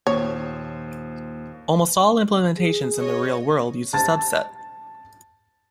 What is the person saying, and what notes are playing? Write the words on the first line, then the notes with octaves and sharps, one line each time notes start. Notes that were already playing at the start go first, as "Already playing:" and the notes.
Almost all implementations in the real world use a subset.
D#2 A#2 C5 C#5 D#6
G#4
C#5 D#5
A5 A6